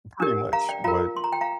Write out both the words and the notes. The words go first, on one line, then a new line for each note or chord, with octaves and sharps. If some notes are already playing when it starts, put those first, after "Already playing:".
Pretty much, but
D4 G4 A#4
F5 A#5
D5 G5
F4 A#4 F5 A#5
C6
A#5
G5
F5 A#5